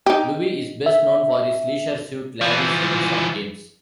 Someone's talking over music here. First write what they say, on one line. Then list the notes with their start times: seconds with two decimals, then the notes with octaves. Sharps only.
Lowe is best known for his "Leisure Suit Larry" series of games.
0.06 D#4 G4
0.86 E5
2.42 E3 F3